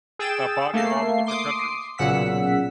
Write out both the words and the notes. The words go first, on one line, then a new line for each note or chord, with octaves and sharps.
a body of all the different countries.
G#4 G5 E6 A6 E7
A3 A#3 A4 C7
C6 D6 D#6 C7
B1 A#2 C#3 F#5 E6 B6